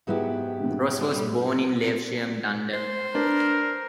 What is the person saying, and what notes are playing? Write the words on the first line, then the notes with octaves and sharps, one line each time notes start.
Ross was born in Lewisham, London.
G#2 F#3 B3 E4 G4
C5
D4 A#4 B4